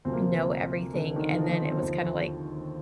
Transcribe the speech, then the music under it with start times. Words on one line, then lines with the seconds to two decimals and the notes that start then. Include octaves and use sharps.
know everything, and then it was kinda like,
0.05 D2 C3 F3 C4
0.13 A#3
0.22 C4
0.94 D3 D4
1.16 D#3 D#4
1.38 F3 F4
1.49 D#3 D#4
1.60 C4
1.71 C4
1.82 D#2 D3 F3 C4